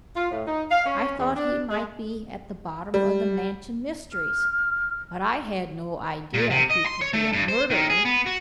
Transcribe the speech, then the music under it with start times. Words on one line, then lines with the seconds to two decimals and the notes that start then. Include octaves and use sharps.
I thought he might be at the bottom of the Mansion mysteries, but I had no idea he could be a murderer.
0.16 F4
0.31 A2
0.45 D#4
0.71 F5
0.85 C#4
1.18 E2
1.35 D4
1.70 G#3
2.94 G3
4.12 F6
6.34 A#2
6.50 C3
6.70 D#5
6.86 C6
7.01 C#5
7.13 A3
7.33 G2
7.49 C5
7.70 D#3
7.90 G#4
8.05 B3
8.26 F#4